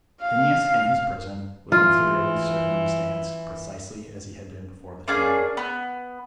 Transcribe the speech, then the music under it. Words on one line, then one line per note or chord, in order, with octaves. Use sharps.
Phineas in his prison was materially circumstanced precisely as he had been before the trial.
F5
E3 F4
A#3 C#4 D4 G#4
B3